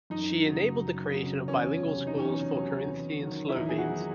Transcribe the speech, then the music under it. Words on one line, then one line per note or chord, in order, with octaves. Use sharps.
She enabled the creation of bilingual schools for Carinthian Slovenes.
F#2 D#4
C#3 F#3
F#2
C#3 F#3
E2 C#4
C3 F#3
D#4
E2 C#4
C3 F#3
E2
D#3 F#3
E4
E2 D#4
G#4
F#4
D#3 F#3